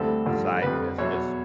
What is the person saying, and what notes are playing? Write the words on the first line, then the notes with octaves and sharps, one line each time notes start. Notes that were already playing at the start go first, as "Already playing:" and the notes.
society that's just
Already playing: D2 D3 G3 C4 E4 A4
G2 D3 F3
F2 D3 G3 B4
E2 B2 F#3 C#5